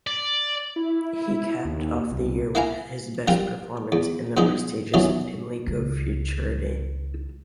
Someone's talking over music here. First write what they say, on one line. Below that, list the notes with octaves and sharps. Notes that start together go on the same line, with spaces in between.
He capped off the year with his best performance in the prestigious Pimlico Futurity.
D5
E4
D#2
C2
A#3 E4 F5 G#5 A#5
F3 G3 C4 F4 A#4
E2
G2 B2 F3 G#3 D#4
D#2 B2 E3 F#3 C#4
C#2 D#3